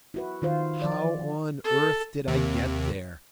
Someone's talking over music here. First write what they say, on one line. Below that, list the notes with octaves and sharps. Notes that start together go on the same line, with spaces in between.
How on earth did I get there?
E4 F#4 B4
D#3 F4 C5
F3 D5
A4
D#2 C3